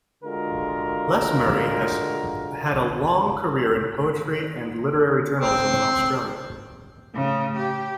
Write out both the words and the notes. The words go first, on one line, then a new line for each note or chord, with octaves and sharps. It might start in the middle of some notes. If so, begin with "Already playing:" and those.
Les Murray has had a long career in poetry and literary journalism in Australia.
D3 G#3 F4 F#4 A#4
C4
A2 C#3
G4